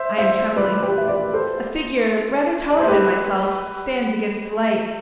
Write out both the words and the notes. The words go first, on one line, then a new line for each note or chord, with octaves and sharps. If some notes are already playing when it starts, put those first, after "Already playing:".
I am trembling. A figure rather taller than myself stands against the light.
Already playing: C5 E5
C5 E5
B4 D5
G4 B4
E5
B4 D5
A4 C5
D5
C5
G4 B4